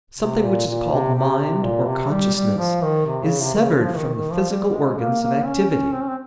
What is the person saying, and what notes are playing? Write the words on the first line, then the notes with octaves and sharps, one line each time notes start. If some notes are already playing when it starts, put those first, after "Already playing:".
Something which is called mind or consciousness is severed from the physical organs of activity.
C3
A#2
A#2
C3
C3
C3
A#2
C3
G3
G3
F3
D#3
C3
C#3
C3
D#3
C#3
F3
D#3
D#3
F3
G3
G#3
A#3
A#3
C#4
C#4
C4
C#4
C4